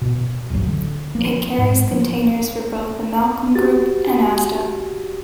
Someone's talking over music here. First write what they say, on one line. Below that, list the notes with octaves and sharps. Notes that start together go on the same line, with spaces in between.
It carries containers for both the Malcolm Group and Asda.
B2
D1 A1 G2 F#3
D3
F3 A#3
G#2
F3
F#4 G4 A6